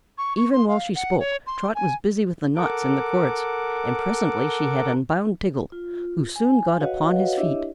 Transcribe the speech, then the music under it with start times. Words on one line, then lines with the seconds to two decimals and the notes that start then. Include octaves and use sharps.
Even while she spoke Trot was busy with the knots in the cords, and presently she had unbound Tiggle, who soon got upon his feet.
0.18 C#6
0.37 C#6
0.53 C6
0.68 F5
0.95 F#5
1.20 C#5
1.47 C6
1.75 G#5
2.56 A4 A#4 F#5 D6
5.72 F4
6.36 G#5
6.81 F#4 B4 C#5 D#5 F5 F#5
7.37 D4 E4 G4 C#5 D#5 E5